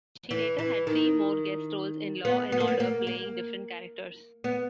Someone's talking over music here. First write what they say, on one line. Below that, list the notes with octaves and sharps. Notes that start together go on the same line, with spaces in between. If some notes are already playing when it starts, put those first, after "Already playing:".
She later had three more guest roles in "Law and Order", playing different characters.
E3
E3
D#3
B3
B3
A#3
B3
A#3
A#3
B3